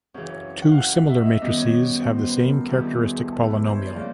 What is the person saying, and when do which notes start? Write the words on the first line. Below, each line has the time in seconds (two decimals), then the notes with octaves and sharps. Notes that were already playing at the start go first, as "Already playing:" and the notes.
Two similar matrices have the same characteristic polynomial.
0.14 F#2 C#3 E3 C#5
0.30 C#5
0.62 F#5
0.72 F5
0.78 F#5
0.94 F5
1.10 E5
1.21 D#5
1.26 E5
1.42 F#2 D#3 G3 B3 D#5
1.57 C#5
2.05 C5
2.23 C5
2.30 B4
2.37 A#4
2.53 A4
2.68 E2 C3 D#3 G3 F#4
3.01 G#4
3.17 A4
3.32 A4
3.48 B4
3.64 C5
3.75 C#5
3.86 D5
3.94 C#3 F3 A#3